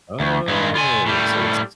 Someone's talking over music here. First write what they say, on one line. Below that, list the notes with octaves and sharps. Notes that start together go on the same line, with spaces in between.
Oh, so it's
D2
G2 G#3
F4 G#5
A2 G3